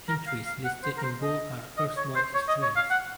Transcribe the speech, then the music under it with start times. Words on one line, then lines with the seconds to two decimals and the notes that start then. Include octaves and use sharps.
Entries listed in bold are Earth-wide extremes.
0.08 A#4
0.27 F5
0.46 F5
0.64 F#5
0.83 C5
0.97 A#4
1.03 C5
1.21 D#5
1.78 D#5
1.97 C#5
2.15 C5
2.34 C#5
2.48 D#5
2.62 C#5
2.76 F5
2.90 F#5